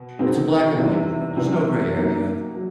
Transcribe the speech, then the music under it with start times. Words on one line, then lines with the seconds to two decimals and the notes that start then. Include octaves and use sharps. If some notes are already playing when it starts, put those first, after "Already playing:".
it's a black and white world, there's no gray area,
Already playing: B2
0.19 B2 G#3 C4 D#4
0.77 C3 E3 G3 B3 D#4
1.37 C3 E3 G3 B3 D#4
1.96 F#3 A#3 D#4
2.55 F#3